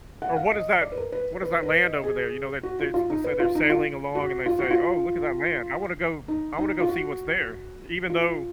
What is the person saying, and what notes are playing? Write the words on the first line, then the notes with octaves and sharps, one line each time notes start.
Or, "What is that what is that land over there?" You know, that they let's say they're sailing along and they say, "Oh, look at that land, I wanna go I wanna go see what's there." Even though
F#5
F5
D#5
D5
B4
A#4
B4
B4
B4
D#5
G#4
F#4
F4
F4
D#4
B4
F4
D#4
F4
F#4
F4
F#4
F4
D#4
D#4
F4
F#4
F4